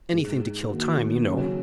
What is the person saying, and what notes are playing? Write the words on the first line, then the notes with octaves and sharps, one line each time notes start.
"Anything to kill time, you know."
G#2 G#3 D#4
D#3 A#3 F#4
C#3 F#3 C#4 F#4